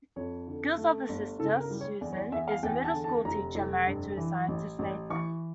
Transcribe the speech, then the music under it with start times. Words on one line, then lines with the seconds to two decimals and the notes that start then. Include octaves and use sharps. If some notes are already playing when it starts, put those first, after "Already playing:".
Gil's other sister, Susan, is a middle school teacher married to a scientist, Nathan.
0.16 F2 C#5
0.47 D3
0.78 A3
1.09 G1
1.39 C#3 A4
1.60 A#4
1.70 G3
1.81 C#5
2.01 E2 D5
2.13 C#5
2.17 D5
2.32 E2 E5
2.48 F5
2.63 E2 G5
2.84 A5
2.94 D3
3.04 A5
3.25 F1 A#5
3.55 F1
3.87 G2
4.17 E3
4.48 A1
4.79 A1
5.10 E3 C#6